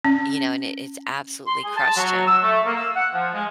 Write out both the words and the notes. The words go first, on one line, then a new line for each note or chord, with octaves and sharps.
You know, and it it's absolutely crushed him
C#4
C6
G#4
A5
F#3
E6
A3
A#3
E6
F#5
F3
G#3